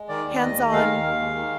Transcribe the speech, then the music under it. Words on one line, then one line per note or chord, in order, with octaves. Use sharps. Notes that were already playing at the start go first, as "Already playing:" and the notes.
Hands on,
Already playing: G#3
D#3 D5
D#2
D#2 D#5
G#3
D#3 F5
D#2
D#2
G#3
D#3